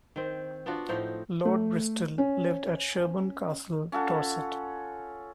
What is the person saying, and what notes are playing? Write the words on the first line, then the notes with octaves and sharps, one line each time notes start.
Lord Bristol lived at Sherborne Castle, Dorset.
D#3 C4
B3 D4 F4 F#4
A2 F3 C4 D#4
A3
C#4
C#4 F4 A4 F#5